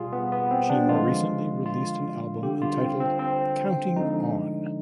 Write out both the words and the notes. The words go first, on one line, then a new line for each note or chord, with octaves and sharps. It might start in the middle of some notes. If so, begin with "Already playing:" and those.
She more recently released an album entitled "Counting On".
Already playing: B2 G3 F4 G#4
B3
B3
C4
D4
D3 F3 G#3 F4
F4
D3 G3 G4
F4
C4
C4
C4
D3 F3 G#3 D#4